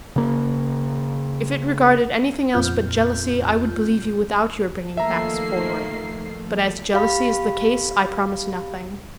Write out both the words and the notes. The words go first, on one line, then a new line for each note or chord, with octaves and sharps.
"If it regarded anything else but jealousy, I would believe you without your bringing facts forward; but as jealousy is the case, I promise nothing."
C#3 A#3
F2 A#2 C4 F4 F6 G6
D#3 F3 A3 A#3 A4 E5 A#5 C7
G4 F5 B5